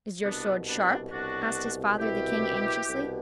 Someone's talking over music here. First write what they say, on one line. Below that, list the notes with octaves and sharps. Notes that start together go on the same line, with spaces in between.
"Is your sword sharp?" asked his father, the King, anxiously.
C2 B2 B3 D4
B3 D4
C2 B2 D4 F#4
C2 B2 E4 G4
C2 B2